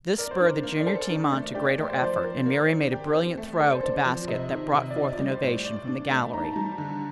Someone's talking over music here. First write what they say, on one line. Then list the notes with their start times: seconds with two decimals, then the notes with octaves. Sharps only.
This spurred the junior team on to greater effort, and Miriam made a brilliant throw to basket that brought forth an ovation from the gallery.
0.18 A#4 D5
0.31 C5
0.40 D4 A#4
0.63 A#3
0.80 D5
0.86 A4 C5
1.10 D4
1.31 A3
1.55 G4 D5
1.78 A3
1.89 C5
1.97 D5
2.01 F3 C5
2.23 A#4
2.46 A#3
2.68 D#3
2.92 G4
3.14 C4
3.37 A3
3.59 A4 D5
3.72 C5
3.83 C4 D5
4.05 F3
4.27 C3 D#5
4.50 D#3
4.74 C3
4.91 D5
4.96 F4 D#5
5.13 D5
5.18 G3
5.30 C5
5.42 A2
5.65 D5
5.87 D4
6.10 A3
6.33 D#4 A#5
6.44 A5
6.53 G3 A#5
6.78 D3